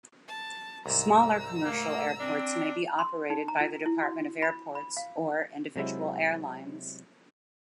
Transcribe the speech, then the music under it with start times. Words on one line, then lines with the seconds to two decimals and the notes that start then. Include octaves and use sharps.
Smaller commercial airports may be operated by the Department of Airports or individual airlines.
0.28 A5
0.86 C2 G#2 A#5 E6
1.65 A3 A#3
2.20 C4 D4
2.99 C6
3.30 D#4
3.48 A#5
3.60 F4
3.86 E4
4.03 F#4
4.42 B5
4.75 B5
4.97 F5
5.76 C3 F#3 G#3 E4